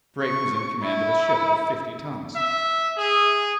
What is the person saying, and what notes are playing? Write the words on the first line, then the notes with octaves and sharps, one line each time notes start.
Drake was in command of a ship of fifty tons.
C#6
E4
E5
G#4